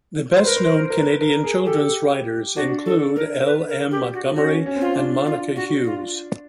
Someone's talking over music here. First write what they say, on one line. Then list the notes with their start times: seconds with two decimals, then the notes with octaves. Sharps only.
The best-known Canadian children's writers include L. M. Montgomery and Monica Hughes.
0.31 C5
0.44 A#4 B4
0.57 C5
0.76 C5
0.90 A#4
0.98 B4
1.21 A#4
1.44 G#4
1.65 G4 A4
2.56 D4 F#4
2.86 A4
3.16 A#4
3.46 B4
3.69 A#4
3.91 G4
4.14 F#4
4.36 C#4 F#4
4.66 C#4
4.76 C4 F4
4.86 C#4
4.96 D4
5.26 F4
5.56 F#4
5.86 F4